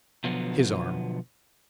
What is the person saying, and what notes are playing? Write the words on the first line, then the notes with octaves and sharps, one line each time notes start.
His arm.
B2 D3 F3 F#3 B3